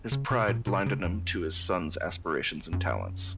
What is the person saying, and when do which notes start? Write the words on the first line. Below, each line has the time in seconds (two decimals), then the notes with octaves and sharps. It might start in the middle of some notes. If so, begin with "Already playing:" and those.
His pride blinded him to his son's aspirations and talents.
0.12 C#3
0.30 B2
0.48 A#2
0.67 B2
0.86 C#3
1.05 F2
2.72 F#2